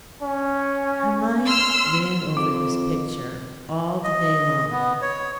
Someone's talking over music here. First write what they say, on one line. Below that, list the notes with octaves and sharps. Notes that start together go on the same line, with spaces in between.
Her mind ran over this picture all the day long.
C#4
C6 E6 F6
F2 D6
D#5
B3
C#5